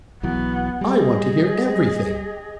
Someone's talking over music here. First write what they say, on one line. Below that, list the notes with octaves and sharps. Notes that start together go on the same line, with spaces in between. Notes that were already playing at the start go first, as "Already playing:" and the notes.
"I want to hear everything."
B1 E3 F#3 B3
G3 G#4 D#5